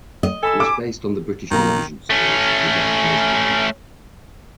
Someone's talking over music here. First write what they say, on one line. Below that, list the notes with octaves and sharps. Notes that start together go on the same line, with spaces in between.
It was based on the British television series Till Death Us Do Part.
D#5
A4 G#5 B5 E6
D6
B1 D#3 A#3 A#5
A3 C#4